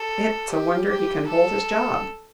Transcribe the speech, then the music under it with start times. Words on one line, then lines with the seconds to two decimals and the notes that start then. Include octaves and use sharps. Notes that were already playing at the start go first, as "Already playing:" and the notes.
"It's a wonder he can hold his job."
Already playing: A4
0.51 G4
0.89 G4
1.28 A4